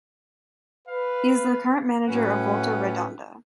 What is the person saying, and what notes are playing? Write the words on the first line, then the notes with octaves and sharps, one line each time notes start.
He is the current manager of Volta Redonda.
B4 F5
A2 F#3 C#4 B4 F#5